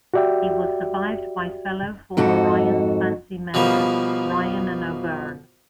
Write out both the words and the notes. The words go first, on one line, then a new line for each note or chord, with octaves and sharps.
He was survived by fellow former Ryan's Fancy members Ryan and O'Byrne.
F#4 G4 D5 E5 G5
F2 G#2 F#4 A4
B2 F3 G3 A#3